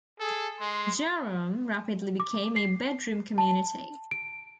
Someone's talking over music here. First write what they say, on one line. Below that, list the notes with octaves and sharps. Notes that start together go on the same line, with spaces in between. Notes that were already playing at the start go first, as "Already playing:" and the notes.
Jerome rapidly became a bedroom community.
G#4 A4
G#3 C6
D6
C7
A5
D7